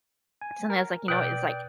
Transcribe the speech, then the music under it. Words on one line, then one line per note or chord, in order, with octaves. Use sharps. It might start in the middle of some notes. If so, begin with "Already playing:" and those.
sometimes, like, you know, it's, like,
G#5
A#4
B2 D5 G5 F#6